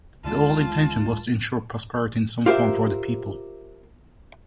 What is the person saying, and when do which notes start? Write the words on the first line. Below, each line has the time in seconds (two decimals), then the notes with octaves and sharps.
The old intention was to ensure prosperity in some form for the people.
0.24 D2 D3 G#3 F4 A5
2.46 F4 G4 A#4 C5 E5